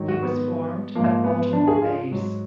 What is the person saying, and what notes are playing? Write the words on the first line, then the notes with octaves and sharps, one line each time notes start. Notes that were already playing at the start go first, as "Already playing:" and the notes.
He was formed at Baltimore Bays.
Already playing: G#2 D#3 F#3
F#4
B3
G#2 F3 A#3
B3
D4
G#4
F4
G#2 F#3